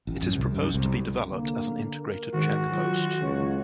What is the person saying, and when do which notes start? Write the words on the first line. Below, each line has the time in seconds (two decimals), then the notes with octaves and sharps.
It is proposed to be developed as an Integrated Check Post.
0.07 A1
0.22 F#2
0.35 C2
0.54 F#2
0.74 C2
1.30 D3 A#3
1.99 A#4
2.34 G#2 D#3 F#4
2.71 F#3 F4
3.21 C#2 C#5